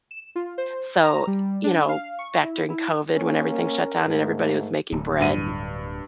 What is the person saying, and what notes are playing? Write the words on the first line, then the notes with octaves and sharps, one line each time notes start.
So, you know, back during COVID when everything shut down and everybody was making bread.
E7
F4
C5
A#5
G3
D4
F5
C#6
E4
E4
A#3 C#4 A#4
G#2 A3
D1
G2 D#7